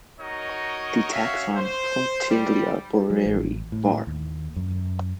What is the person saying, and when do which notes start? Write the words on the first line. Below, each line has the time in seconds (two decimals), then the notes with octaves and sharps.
The taxon "Punctelia borreri" var.
0.20 D#4 F#4 A#4 C#5 D#5
1.13 C#4 F#4 C#5 E5 F5
1.56 C5
2.30 G3
3.10 F#3
3.25 A1
3.72 A2
4.07 D#2
4.56 F#2